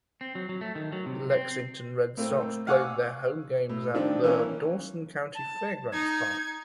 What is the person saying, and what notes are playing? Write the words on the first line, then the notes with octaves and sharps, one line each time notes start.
The Lexington Red Sox played their home games at the Dawson County Fairgrounds Park.
C4
F#3
F#3
A3
D#3
F#3
C3
C4
A2 A#3 C4
F5 F#5 G#5 C#6 D6 E6
A2
D#3 F3 C4 D4
E3 A#3 C#4
A5
D#4 G#6